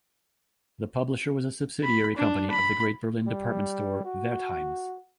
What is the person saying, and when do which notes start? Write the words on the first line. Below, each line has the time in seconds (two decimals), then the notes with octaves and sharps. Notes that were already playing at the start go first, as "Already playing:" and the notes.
The publisher was a subsidiary company of the great Berlin department store, Wertheim's.
1.84 B5
2.17 D4
2.51 B5
3.27 G3
4.05 F#4